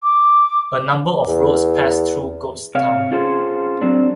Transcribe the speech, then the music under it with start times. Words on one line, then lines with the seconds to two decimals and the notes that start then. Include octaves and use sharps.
A number of roads pass through Goatstown.
0.03 D6
1.27 E2
2.75 C3 C#5 F5
3.11 C#4 F4 G#4 A4 C5
3.82 F#3 C4 D4